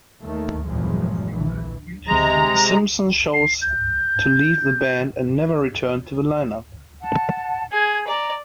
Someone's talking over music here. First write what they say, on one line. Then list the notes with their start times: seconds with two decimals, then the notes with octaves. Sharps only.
Simpson chose to leave the band and never returned to the line-up.
0.22 D#2 D#3 A3
0.67 G1 E2 A#2 F3 F#3 G#3
1.30 A#1 E3
2.07 C3 G#3 A#5
3.34 C7
3.62 G6
7.01 F#5 A5
7.72 G#4 G#6
8.07 D5 A#5